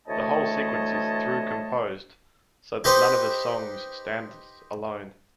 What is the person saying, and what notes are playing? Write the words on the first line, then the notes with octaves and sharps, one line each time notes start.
The whole sequence is through-composed, so that none of the songs stands alone.
D2 E3 A3 C#5 D#5 A5
D#4 G4 B4 C5